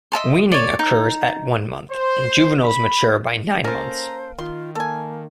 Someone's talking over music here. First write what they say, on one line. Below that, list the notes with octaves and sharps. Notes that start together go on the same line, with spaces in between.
Weaning occurs at one month, and juveniles mature by nine months.
D#5 E5 A5 C6
C#5 D5
D#4
C5
B5
A#3 C#4 A4 A#4 C5 A#5
D#3 F4 C6
A#3 A4 G#5